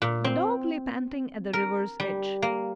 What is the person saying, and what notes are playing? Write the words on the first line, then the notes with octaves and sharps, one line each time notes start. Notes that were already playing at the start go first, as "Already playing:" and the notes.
The dog lay panting at the river's edge.
A#2
C4
A#4
G3
A#3